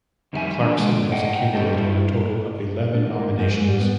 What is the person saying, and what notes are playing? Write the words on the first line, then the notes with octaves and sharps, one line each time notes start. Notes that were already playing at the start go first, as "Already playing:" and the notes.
Clarkson has accumulated a total of eleven nominations.
F2 D#3 G3 F4 E5 G#5
E3 D4
D3 G#3
D#5 F#5 G5
G3 C#4 G4 A4
G2 E4
D4
D#3
A#3
F#2
G#2
G3
B3